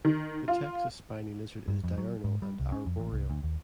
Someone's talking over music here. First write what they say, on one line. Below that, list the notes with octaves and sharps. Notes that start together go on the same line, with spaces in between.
The Texas spiny lizard is diurnal and arboreal.
D#3
F4
G2
F2
F#3
G#2
G3
C2
C#4
F2
A1
C2
D2
D#2